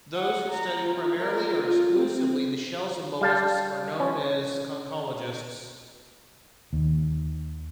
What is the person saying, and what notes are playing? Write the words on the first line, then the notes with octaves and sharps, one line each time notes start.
Those who study primarily or exclusively the shells of mollusks are known as conchologists.
F#5
A#5
F4
A#4
F4
C4
G3 F5 A5
C#4
D#2